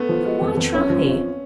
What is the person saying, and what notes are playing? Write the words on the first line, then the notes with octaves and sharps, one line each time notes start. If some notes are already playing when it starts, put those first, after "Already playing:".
Then why try?
Already playing: A3 B3
F3
G#3
F2
F2
F#2 C#4
F3
G#1